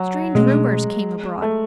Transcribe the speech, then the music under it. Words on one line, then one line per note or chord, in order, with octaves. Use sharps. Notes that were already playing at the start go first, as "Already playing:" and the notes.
Strange rumors came abroad.
Already playing: F#3
B2 G#3 A3 C#4
A3